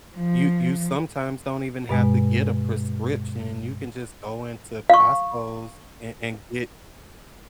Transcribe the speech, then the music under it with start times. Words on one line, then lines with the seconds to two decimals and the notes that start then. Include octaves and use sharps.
You you sometimes don't even have to get a prescription. You can just go into Costco's and and get
0.16 F3
1.89 G2 B2 G#3
4.90 F5 C#6